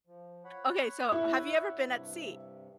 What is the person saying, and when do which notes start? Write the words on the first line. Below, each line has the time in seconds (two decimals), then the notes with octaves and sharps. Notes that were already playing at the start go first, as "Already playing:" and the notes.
Okay, so have you ever been at sea?
0.07 F3
0.45 C#5 F#5 B5
1.12 E4
1.87 G2 C3